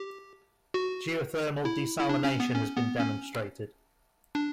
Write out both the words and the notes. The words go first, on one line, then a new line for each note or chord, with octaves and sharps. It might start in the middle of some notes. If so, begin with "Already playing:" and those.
Geothermal desalination has been demonstrated.
Already playing: G4
F#4
E4
E4
D4
C#4
B3
C#4
B3
C#4
D4